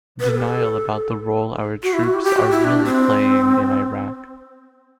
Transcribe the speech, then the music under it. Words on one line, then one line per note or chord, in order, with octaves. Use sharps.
Denial about the role our troops are really playing in Iraq.
B4
A4
G4
A4
F#4
E4
F#4
G4
G4
F#4
E4
D4
C4